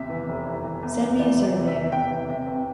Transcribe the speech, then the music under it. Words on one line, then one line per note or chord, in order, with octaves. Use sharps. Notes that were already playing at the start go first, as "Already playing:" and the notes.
Send me a surveyor.
Already playing: E2 C3 E5
E3
F1
E3
E3
E2
E2
E3 D5
C3
D5
C3
E5
E2
C3 G5
E3
C3
C3